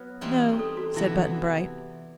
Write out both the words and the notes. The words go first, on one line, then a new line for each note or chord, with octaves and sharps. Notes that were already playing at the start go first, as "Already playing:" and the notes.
"No," said Button-Bright.
Already playing: F#3 B3 B4
E3 G3 C4 D#4
A4
F#4
C3 E3 B3 E4